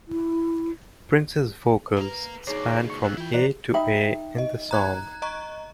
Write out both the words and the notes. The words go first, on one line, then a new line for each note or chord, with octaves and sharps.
Prince's vocals span from A to A in the song.
E4
A#3 B4 A#5
D2 B2 D#4 G#4 C#5 A#5 D6 C7
C#6
F2 E6 F#6
E3 E4 F4 G5
E3 C5 D5 A#5 F#6
D#4 E5 G5 B5
D#5
A#5 F#6 G#6
D#5 A#5 C#6